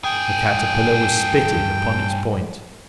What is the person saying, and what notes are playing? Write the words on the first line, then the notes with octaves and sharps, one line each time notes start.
The caterpillar was spitted upon its point.
G2 G#4 G5